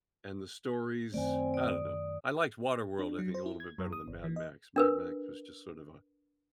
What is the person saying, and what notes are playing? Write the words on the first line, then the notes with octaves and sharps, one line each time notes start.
and the stories, I don't know, I liked Waterworld, I think, a little bit better than Mad Max. Mad Max was just sort of a
F#2 D#3 A3 C4 D5 G#5
D5 D#6
D4
F#3
C5
E4
G#6
F#2
D#6
G1
E3
D#5
D4 A#4 B4